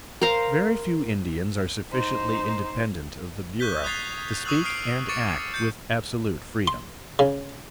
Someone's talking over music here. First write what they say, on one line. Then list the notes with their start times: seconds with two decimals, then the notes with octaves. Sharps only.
Very few Indians are sufficiently independent of the Bureau to speak and act with absolute freedom.
0.21 A#4 C5 F5 A#5
1.91 D#4 C5
3.59 C#6 F#6 G6 B6 G7
3.84 D#6 F#6 G#6 A6 C7 F7
4.45 C#6 D#6 E6 F#6 F#7
4.64 D#6 F6 C7 D7
5.09 C#6 D6 A6 C#7 D7
5.54 G6 A6 C#7
6.68 C6
7.19 C#3